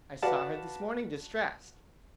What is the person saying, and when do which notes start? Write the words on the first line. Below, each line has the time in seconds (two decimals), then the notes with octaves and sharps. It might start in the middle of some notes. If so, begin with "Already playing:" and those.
I saw her this morning distressed.
0.22 F#4 B4 D5 F5 F#5 A5